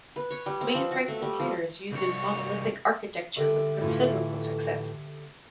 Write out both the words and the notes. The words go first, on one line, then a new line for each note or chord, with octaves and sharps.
Mainframe computers used a monolithic architecture with considerable success.
B4
C#5
G3
C4
F3
F#4
A3
G3
F3
C2 C#5
D3 G3 E4
A2 E3 F4